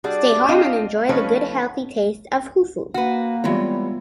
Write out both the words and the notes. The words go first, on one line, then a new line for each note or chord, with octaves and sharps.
Stay home and enjoy the good healthy taste of hufu.
G3 D4 F#4 G#4 D5
C4 D4 F4 D#5 F5 G5
F3 A3 C#4 D#4 B4 C#5
A#3 F#4 B4 F#5
E3 G3 G#3 B3 C4 F4 C#5